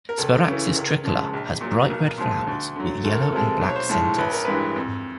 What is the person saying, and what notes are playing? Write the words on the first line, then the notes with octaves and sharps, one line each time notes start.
"Sparaxis tricolor" has bright red flowers with yellow and black centres.
A#4
C#2 A4
C#3 E3
C#2 A#4
C#3 F3 G#3
A#1
A#2 F#3
B1 A#4
A#2 F3 G#3
D2
D3 F#3
D2 A4
A#4
A4
C3 F3 G#3
B1 C5
C#5
C5
A2 F3 G#3
A1 B4
A#4
G2 E3 G#3 B4
F2